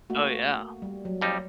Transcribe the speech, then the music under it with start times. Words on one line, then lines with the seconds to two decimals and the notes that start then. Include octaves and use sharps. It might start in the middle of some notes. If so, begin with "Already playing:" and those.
Oh, yeah.
0.10 A3 A#3 F#4
0.82 G3
1.05 F#3
1.21 F2 G3 D#4